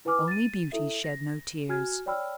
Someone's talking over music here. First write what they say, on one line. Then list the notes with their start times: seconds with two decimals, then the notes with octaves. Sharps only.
Only Beauty shed no tears.
0.05 E4 B4 F#5 G#5 D6 F6
0.28 A6 D#7
0.72 E4 A4 E5
1.04 A#6
1.69 F#4 G#5 F6 G#6
2.06 C#5 D5 G5 B5 E6 F6